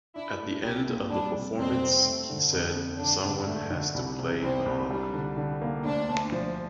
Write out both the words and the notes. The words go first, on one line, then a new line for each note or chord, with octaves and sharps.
At the end of the performance, he said: "Someone has to play the hunk".
D4 E4
A3
C2 G4
A#2
G3 D4
C3
F2 C4
C3
A3
D3
F2
F2
D3 D4
D3
A3
D3
C2
C3
C2 C4
C2
G3 D4
D3
D3
A#3
D2 D4
D2
F3